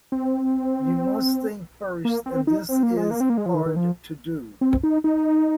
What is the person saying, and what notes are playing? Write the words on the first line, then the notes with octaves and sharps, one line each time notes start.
You must think first and this is hard to do.
C4
A#3
C4
D#4
C4
A#3
G#3
A#3
C4
A#3
G#3
F3
D#3
D#3
F3
C4
D#4
D#4